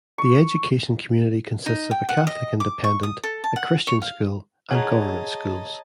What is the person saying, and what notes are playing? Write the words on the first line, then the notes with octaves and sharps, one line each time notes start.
The education community consists of a Catholic Independent, a Christian School and Government schools.
C#6
D#4
G5
F#5
D#5
D6
C#6
D#6
A4
A5
F#5
C#5
F5
G#4 C#5 D#5 F#5 A5 A#5